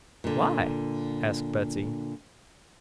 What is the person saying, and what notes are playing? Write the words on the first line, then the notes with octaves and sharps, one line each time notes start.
"Why?" asked Betsy.
A#2 D3